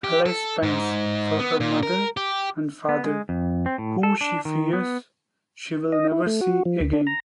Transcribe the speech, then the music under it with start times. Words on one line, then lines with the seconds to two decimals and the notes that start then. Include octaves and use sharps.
Alice pines for her Mother and Father, who she fears she'll never see again.
0.04 G4
0.26 A4
0.63 G#2
1.39 B3
1.60 A#2
1.83 A#4
2.17 G4
2.89 B3
3.04 G#3
3.29 F2
3.66 C4
3.78 A2
4.03 A4
4.21 D4
4.45 D#3
4.73 B3
5.92 D#5
6.12 E4
6.26 A3
6.41 F#4
6.65 F3
6.80 D2
6.93 D4
7.07 A#5